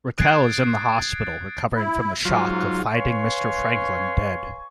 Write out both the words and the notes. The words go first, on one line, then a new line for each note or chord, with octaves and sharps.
Raquel is in the hospital recovering from the shock of finding Mr. Franklin dead.
D#6 F#6 G#6 A6 C7 D7
A6
E4
G#2 F#3 F4
B4 C#5 F5 G#5 C6 C#6